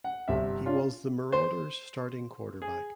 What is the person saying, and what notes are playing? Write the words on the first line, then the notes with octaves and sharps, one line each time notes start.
He was the Marauders starting quarterback.
F#5
G1 C3 E5
C#4 D4 F4
C5
G#4